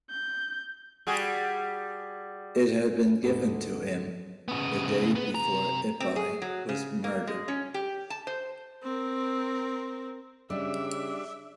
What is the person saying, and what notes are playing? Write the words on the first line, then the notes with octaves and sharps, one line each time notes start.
It had been given to him the day before Ippei was murdered.
G6
G3 F#4 G#4
C#4
D2 G#2 G#3 B3 A4
C#3 B3
B3 B4
C3 A#5
C4
G#4
F#3
C#3
A#3
G#3
C#4
G4
A5
C5
C4 A#4
C#3 G3 D4 D#5 E5